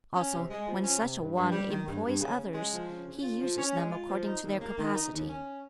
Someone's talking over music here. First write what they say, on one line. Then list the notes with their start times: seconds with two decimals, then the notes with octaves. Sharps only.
Also, when such a one employs others, he uses them according to their capacity.
0.15 C#4
0.32 C3
0.50 G#3
0.67 F3
0.83 C#4
1.01 C3
1.18 G2
1.36 G2
1.52 G3
1.69 D#3
1.87 G2
2.04 G2
2.20 C#3
2.38 C#3
2.54 G#3
2.72 F3
2.89 C#3
3.06 C#3
3.23 F4
3.40 F3
3.57 C#4
3.75 G#3
3.92 F4
4.08 F3
4.25 D#4
4.43 D#2
4.61 A#3
4.77 D#3
4.94 D#4
5.11 D#2
5.29 C#4